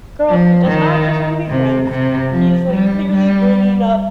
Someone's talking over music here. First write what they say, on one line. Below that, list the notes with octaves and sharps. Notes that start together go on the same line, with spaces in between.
"Girl, he does not just wanna be friends. He is, like, clearly bringing up
F3
D#3
C3
C3
F3
G3
G3